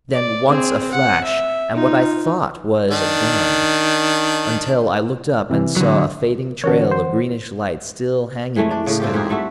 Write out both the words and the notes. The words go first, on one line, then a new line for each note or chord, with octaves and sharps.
Then once a flash and what I thought was a gun, until I looked up and saw a fading trail of greenish light still hanging in the sky.
D5
C4 G#4
F#5
E5
D#4 F4
D#3 D4
C3 E3
D3 F#3
D3 E3 C#4 F#4 A#4 C#5 F#5
C5
E3 G#3 A3 C#4
D4 D5
A2 C#3
C4 F4 G4
G#2 G4 G#4
G3 A3 F#4 E5